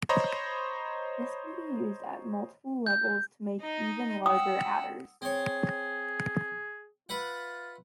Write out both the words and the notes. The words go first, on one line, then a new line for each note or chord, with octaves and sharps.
This can be used at multiple levels to make even larger adders.
C5 C#5 D#5 A#5 B5
G6
D#4 D#5
F#5 G5 D#6 E6
C4 G#4 C#5
F4 B4 E5 F#5